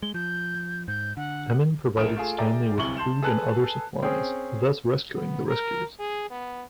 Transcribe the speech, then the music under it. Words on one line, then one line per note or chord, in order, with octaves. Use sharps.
Emin provided Stanley with food and other supplies, thus rescuing the rescuers.
G#3 G7
F3 G6
G#2 G6
D3 F#5
A#1 A#3 D#6 F6 D7 E7
A3 F4 G#4
G#4 D5 E5 G5 A#5
D1 C2 E4 C#6 F#7 G7
A5 C6 G6 E7
G#4 A4 B4 A5 F#6
C4 C#4 G#4
B3
A#4
G#4
B3